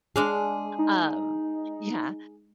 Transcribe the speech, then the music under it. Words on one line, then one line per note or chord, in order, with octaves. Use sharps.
Um, yeah.
G#3 D4 G#4 F5
D#4